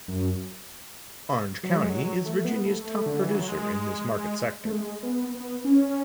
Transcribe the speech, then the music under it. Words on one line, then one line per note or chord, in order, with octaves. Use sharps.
Orange County is Virginia's top producer in this market sector.
F#2
F#3
G#3
F#3
A3
B3
A3
D3
E3
F#3
G#3
A3
G#3
B3
B3
C#4